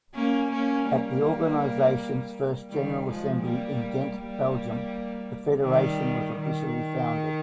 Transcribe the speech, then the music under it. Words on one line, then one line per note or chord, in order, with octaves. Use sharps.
At the organisation's first general assembly, in Ghent, Belgium, the federation was officially founded.
A#3 C#4
A#3 C#4
G3 A#3
D#3 G3
F3 G#3
G3 A#3
G3 A#3
D#3 G3
D#3